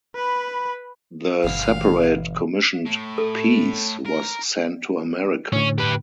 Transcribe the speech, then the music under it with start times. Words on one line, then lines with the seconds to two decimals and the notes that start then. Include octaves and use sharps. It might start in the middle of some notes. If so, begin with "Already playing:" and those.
The separate commissioned piece was sent to America.
0.15 B4 B5
1.44 G1 B2 E3 F5
2.86 A2
3.18 A4
4.06 A#4
5.53 A2 D3 C#4
5.78 G4 B4